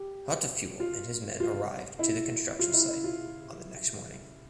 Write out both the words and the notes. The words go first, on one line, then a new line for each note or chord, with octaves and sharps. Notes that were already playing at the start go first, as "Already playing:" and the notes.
Hautefeuille and his men arrived to the construction site on the next morning.
Already playing: G4
F4
F4
E4
F4
E4
E4
F4